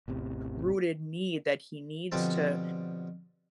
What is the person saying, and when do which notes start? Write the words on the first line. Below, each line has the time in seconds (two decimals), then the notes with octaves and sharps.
rooted need that he needs to
0.08 A1 E2 C3
2.12 B2 D3 F3 G3 C4 A5